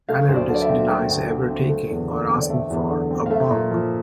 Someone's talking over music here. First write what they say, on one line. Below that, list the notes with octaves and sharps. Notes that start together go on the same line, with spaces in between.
Allardyce denies ever taking, or asking for, a "bung".
A3 F5
D2 C5
D5
D3
D5
E5
C4
A3 G5
D2
D3
C4
A3
E2
D3
C4
D5
A3 E5
E2
D3
C4
F5
A3 E5
A#2
F3